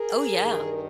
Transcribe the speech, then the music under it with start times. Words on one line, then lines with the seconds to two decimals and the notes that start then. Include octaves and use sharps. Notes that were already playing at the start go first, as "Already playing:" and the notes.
Oh, yeah.
Already playing: G#4 A#4
0.40 G2 D#3